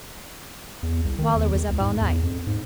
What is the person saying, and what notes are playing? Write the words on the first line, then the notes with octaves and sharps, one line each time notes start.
Waller was up all night.
E2
C2
D#3
E2
E2
C#2
G#2
E2
F2
G#2